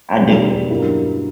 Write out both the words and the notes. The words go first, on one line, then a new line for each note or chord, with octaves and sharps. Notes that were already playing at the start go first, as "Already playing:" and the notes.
I do.
E2 B2 G3 C#4
G2 F#3 A#3 E4 G4